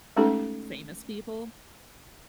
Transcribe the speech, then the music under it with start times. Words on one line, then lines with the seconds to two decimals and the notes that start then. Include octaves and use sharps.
famous people,
0.16 G#3 A3 C#4 D#4 G4 A4